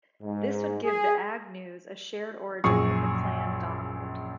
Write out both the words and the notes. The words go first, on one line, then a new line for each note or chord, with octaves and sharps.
This would give the Agnews a shared origin with the Clan Donald.
G#2
G#4
A#1 F#2 G#4 G#5 C#6